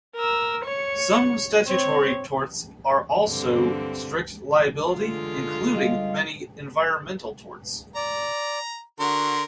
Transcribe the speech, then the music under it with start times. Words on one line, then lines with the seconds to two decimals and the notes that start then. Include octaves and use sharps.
Some statutory torts are also strict liability, including many environmental torts.
0.16 A#4 E6
0.64 C#5 C#7
1.65 C4 C#5
3.25 G2 D3 C4
4.91 D3 G#3 F4
5.74 G3 D#5 F5
7.96 D5 A#5
9.00 D3 F#4 A#4 C6